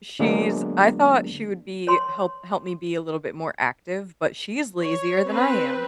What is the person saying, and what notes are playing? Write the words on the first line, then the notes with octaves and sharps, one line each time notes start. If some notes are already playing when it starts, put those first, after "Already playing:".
she's I thought she would be help help me be a little bit more active, but she's lazier than I am.
D3 F#3 G#3 A#3 B3 D4
C#5 C6
C#5
C4 B4